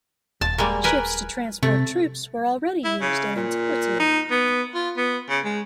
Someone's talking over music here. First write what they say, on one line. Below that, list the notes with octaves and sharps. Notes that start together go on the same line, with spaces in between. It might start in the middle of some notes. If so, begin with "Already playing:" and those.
Ships to transport troops were already used in Antiquity.
D#1 A5
G3 G#3 A#3
A#4 B4 G#5
C3 A3
E4
C#3
A#2
D#4
B3
F4
B3
C#3
G#3